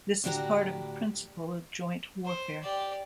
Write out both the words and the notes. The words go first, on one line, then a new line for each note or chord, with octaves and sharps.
This is part of the principle of joint warfare.
A2 D3 D4 F#4 G4 A#5
C5
G4 D5